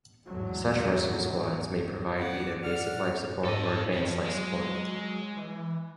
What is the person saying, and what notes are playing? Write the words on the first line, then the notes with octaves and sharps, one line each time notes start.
Such rescue squads may provide either basic life support or advanced life support.
A1 E2 G#2 D3 F#3 G#3
D5 F#5
D5 F#5 F6
G#2 A4 D#5
F2 F3
F#3 G#3
E3